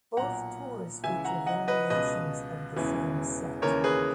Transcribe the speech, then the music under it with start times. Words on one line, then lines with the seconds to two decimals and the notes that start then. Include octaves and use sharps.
Both tours feature variations of the same set.
0.17 B1 A#2 F#5 A#5
1.04 C#2 C#3 E3 E5 G#5
1.25 F#5 A#5
1.46 D#5 F#5
1.68 B4 D#5
1.90 C#2 B2 B4 D#5
2.76 E1 E2 C#3 E3
3.62 D#2 C#3 E3 A#4 C#5
3.84 G#4 B4